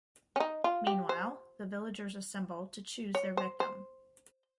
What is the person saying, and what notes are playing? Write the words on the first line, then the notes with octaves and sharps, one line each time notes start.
Meanwhile the villagers assemble to choose their victim.
C#4
D#4
F4
G4
C5
C#5
C5
C5